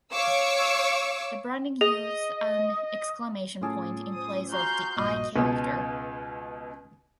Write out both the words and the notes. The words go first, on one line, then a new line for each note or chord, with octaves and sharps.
The branding used an exclamation point in place of the "I" character.
C#5 F5 C#6 D6 E6
G#4 D#5
A2 C#4 F4 G#4 A4 D6
C5 D#6
F#4 C5 A#5 C6 F6 G6
A#1 G2 A#2 D#5
C#2 B2